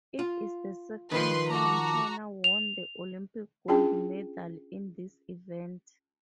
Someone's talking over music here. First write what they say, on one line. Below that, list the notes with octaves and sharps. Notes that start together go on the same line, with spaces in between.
It is the second time China won the Olympic gold medal in this event.
F4
D#3 F3 B4 C6
F#4 A5 A#5 D6
F7
C#4 D4 F4 G#4 G5 A5